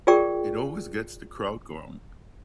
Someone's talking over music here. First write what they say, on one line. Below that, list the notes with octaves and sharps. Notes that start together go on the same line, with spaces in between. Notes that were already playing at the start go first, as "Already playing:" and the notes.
It always gets the crowd going.
F4 G#4 A#4 D5 G5 C#6